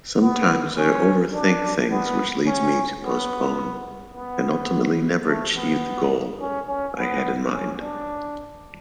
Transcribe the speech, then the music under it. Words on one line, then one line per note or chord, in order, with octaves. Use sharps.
Sometimes I overthink things which leads me to postpone and ultimately never achieve the goal I had in mind.
B3
C#4
D4
B3
C#4
B3
B3
A3
B3
C#4
C#4
B3
C#4
D4